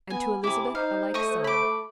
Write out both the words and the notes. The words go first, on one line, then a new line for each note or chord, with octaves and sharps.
"And to Elizabeth a like sum."
B3 G#5
C3 E4 G#4 D6
D#4 C5 F5
A3 D#5 C#6 D#6
B5 D6